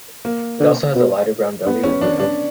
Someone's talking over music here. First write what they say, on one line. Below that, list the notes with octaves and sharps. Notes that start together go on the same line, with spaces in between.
It also has a lighter brown belly than the male.
A#3
D3
B2
G2 B3
E2 C#4
F#2 D4
G2 D4